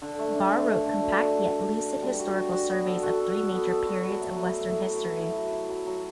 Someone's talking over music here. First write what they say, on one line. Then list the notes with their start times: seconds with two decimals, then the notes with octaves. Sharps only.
Barr wrote compact yet lucid historical surveys of three major periods of western history.
0.02 D3
0.19 A3
0.35 D4
0.52 A3
0.68 D3
0.86 D3
1.02 F#4
1.19 D3
1.35 D4
1.52 D4
1.68 D4
1.86 D4
2.02 G3
2.19 F#4
2.36 F#4
2.52 F#4
2.69 B3
2.86 A4
3.03 F#4
3.20 A4
3.36 A4
3.52 B3
3.69 A4
3.86 F#4
4.03 F#3
4.20 A3
4.35 F#3
4.52 A3
4.69 E4
4.86 F#3
5.03 E4
5.19 E4
5.36 F#3
5.52 E4
5.69 F#3
5.86 F#3